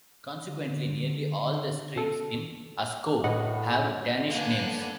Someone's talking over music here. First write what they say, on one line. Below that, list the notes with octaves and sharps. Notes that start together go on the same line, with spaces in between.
Consequently, nearly all the streets in Askov have Danish names.
D3
B2 A4
A2 B4 D#5 F#5
D3 A#3 B3 D4 F5 G#5 F#6